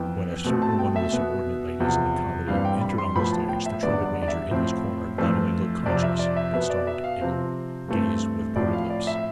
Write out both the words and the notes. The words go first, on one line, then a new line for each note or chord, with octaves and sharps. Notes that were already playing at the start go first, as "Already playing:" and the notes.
When a certain one of the subordinate ladies of the comedy entered on the stage the trumpet- major in his corner not only looked conscious, but started and gazed with parted lips.
Already playing: F2 E3 B3 G5
B2 A3 C4
A5
G5
E5
B2 B3
E2 C3 F3
G2 E3 G3 C4 F5
G5
B5
C6
A2 F3 B3 B5
A5
G5
E5
E2 D3 G3 B3 D5
D5
D5
E5
A2 F3 C4
F2 E3 A3 C4
F2 C3 F3 C4 D5
E5
D5
E5
B2 B3 E5
D5
E5
F5
C3 F3 C4
G2 E3 A3 C4
A2 F3 C4 D5
F5
D5
E5